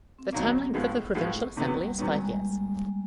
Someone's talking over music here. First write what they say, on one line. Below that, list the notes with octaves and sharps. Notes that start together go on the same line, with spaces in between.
The term length of the provincial assembly is five years.
C4
F2 C3 D#3 F#3 A#3 B3
A2 F3 G#3 B3
A2 F3 G#3 B3
E2 C3 D#3 F#3 A#3 B3
G3
E2 C3 D#3 F#3 G3 B3
G#3
G3